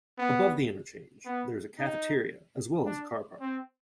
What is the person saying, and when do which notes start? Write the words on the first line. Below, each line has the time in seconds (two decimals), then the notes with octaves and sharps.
Above the interchange, there is a cafeteria as well as a car park.
0.18 B3
1.25 B3
1.78 D#4
2.86 D4
3.40 C4